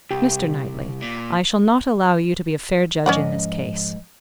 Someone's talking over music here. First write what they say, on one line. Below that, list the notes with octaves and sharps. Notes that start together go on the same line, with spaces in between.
Mr. Knightley, I shall not allow you to be a fair judge in this case.
C2 G4
A#2
G#2 F3 C#4 D5 D#5 F#5